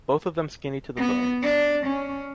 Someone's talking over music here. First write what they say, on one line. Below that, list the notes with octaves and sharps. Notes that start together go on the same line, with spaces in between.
Both of them skinny to the bones.
B3
D4
C#4